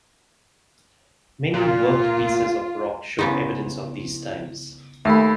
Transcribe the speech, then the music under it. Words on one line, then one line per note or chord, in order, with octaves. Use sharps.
Many worked pieces of rock show evidence of these times.
A#2 F4
C#3 B3 D#4 E4
D#2 A3 E5 B5 E6